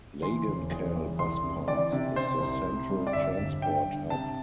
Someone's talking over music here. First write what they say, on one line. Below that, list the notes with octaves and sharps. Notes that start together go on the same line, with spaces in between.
Lagankhel Bus Park is the central transport hub.
E3 C6
E1
E2
E2
C2 C6
C3
E3 D5
C3
C3 C5
C2
C3
G3
D5
G1 E5
G1
G2 G5
G2
C3 A5